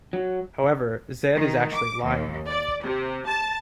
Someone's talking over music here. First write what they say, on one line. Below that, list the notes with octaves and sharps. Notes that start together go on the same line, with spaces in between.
However, Zedd is actually lying.
F#3
D#3
D6
D#2
D5
C3
A5